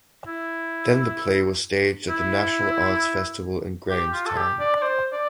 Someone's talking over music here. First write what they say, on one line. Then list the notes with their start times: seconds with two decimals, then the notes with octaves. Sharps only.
Then the play was staged at the National Arts Festival in Grahamstown.
0.27 E4
2.09 E4
3.90 G4
4.13 F4
4.26 A4
4.37 G4
4.60 D5
4.76 D5
4.82 C5
5.12 D5